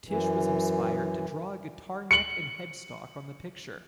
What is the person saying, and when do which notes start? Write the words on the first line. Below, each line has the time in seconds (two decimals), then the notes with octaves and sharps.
Tish was inspired to draw a guitar neck and headstock on the picture.
0.07 F#2 E3
2.11 C#7 F#7